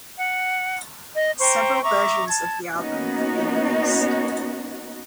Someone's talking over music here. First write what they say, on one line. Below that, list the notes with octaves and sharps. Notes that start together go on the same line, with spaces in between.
Several versions of the album have been released.
F#5
D#5
C5 G5 A#5 C#6
E5 A#5 C#6 D6
A5 G#6
A#3 B3 C#4 D#4 F#4